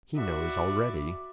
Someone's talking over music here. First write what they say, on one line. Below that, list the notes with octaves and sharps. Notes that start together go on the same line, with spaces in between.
He knows already.
F#4 B4 D5 E5